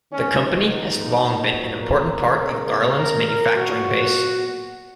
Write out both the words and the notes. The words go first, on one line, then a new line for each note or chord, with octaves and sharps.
The company has long been an important part of Garland's manufacturing base.
D#3 G#3 B3 C#4
D#4
A#2 F#3 B3
A#4
C#3 G#3 B3
A#4
A#4
A#2 F#3 B3 F#4